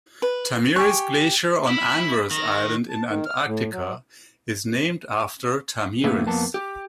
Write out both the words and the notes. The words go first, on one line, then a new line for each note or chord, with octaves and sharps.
Thamyris Glacier on Anvers Island in Antarctica is named after Thamyris.
B4
G4 G#5 C#6
E4 B5
D#3 A#6
A5
D#3
F6
A2
F#3
A2 D3 A#3 B3 B4 E5
F2 A#3 B3 A5
G4